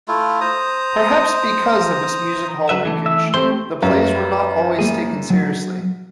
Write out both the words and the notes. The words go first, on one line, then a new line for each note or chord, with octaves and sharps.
Perhaps because of its music hall linkage, the plays were not always taken seriously.
A3 E4 F4
C5 A#5 D#6
F#3 B4 E5
E3 A3
E5
A3 C4 G4 C5 C6
F#2 B4 F5
G3 A#3 G#4
F#3